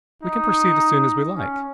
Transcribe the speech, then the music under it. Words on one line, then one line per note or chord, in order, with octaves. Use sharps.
We can proceed as soon as we like.
D#4
C#4